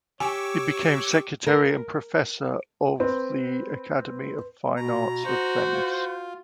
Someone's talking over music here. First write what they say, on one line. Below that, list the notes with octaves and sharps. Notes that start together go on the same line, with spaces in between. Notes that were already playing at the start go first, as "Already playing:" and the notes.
He became secretary and professor of the Academy of Fine Arts of Venice.
G4 C#5 G#5 C#6 D6 E6
A#4
C4 B4
B2 A#5
F#4 C5
F4